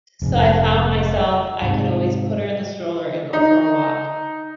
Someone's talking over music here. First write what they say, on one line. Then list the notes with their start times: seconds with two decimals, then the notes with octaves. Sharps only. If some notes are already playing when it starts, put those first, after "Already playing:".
so I found myself I could always put her in the stroller and go for a walk,
0.22 F1 G#2
1.62 G#2 C3
3.33 D#4